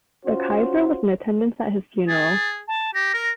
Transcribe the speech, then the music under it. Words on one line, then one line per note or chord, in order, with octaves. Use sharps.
The Kaiser was in attendance at his funeral.
C#4 F4 F#4 C5
G#4 A6
A5
G4 A#6
A#4